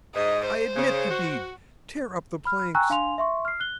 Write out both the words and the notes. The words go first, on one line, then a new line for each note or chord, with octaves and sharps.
I admit the deed!--tear up the planks!
G#2 D#5
C5
C#3
F#4
B5 F6
G5 G#5 A#5 C#6 E6 F#6
D4 F5 G#5 C6 F7
E5 C6 C#6
F6 C7
F#6 G7